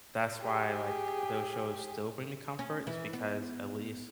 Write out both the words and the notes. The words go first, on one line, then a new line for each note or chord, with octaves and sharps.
that's why, like, those shows still bring me comfort is because at least
G4 G#4
C#4
E3
B3